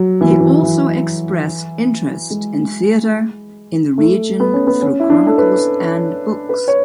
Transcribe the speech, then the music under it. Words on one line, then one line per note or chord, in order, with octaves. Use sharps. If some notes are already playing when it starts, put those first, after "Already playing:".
He also expressed interest in theatre in the region through chronicles and books.
Already playing: F#3
E3
F#3
E3
E3
G#3
A3
B3
C#4
B3
C#4
E4
D4
A4
B4
B4
C#5